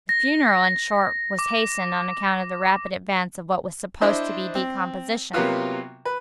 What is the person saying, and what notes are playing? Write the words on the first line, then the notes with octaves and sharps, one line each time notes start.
The funeral, in short, was hastened, on account of the rapid advance of what was supposed to be decomposition.
A#6
D6
D4 E4 C5 D#5
C4
C3 F#3 A#3 B3 F4 F#4
B4